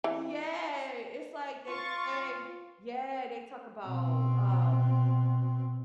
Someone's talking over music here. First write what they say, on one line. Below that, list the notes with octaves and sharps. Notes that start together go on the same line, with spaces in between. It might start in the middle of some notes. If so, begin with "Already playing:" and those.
Yeah, it's like, they say yeah, they talk about, um
E3
F4 C#6 A6
B2 C4